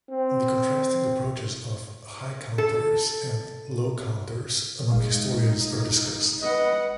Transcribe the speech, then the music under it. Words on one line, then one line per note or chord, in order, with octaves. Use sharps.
The contrasting approaches of "High Counters" and "Low Counters" among historians are discussed.
C4
A4
G1 G#3 D#4 F5
B4 D#5 F#5